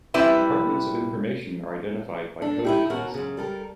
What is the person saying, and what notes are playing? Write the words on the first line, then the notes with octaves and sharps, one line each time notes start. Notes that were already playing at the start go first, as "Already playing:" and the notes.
Compartments of information are identified by code names.
G3 C4 E4 B4 D5 E5
D4 A4
D#4 E4 G4
D#2 B2 F#4 A#4
F#2 C#3
G3 A4 A#4